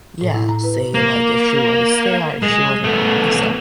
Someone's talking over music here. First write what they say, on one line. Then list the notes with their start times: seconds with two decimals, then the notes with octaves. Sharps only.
Yeah, say it like if she wanna stay or if she wanna wrap this up.
0.21 A2
0.34 E4
0.49 A#5
0.64 B4
0.94 A#3
2.42 G#3
2.84 A3 B3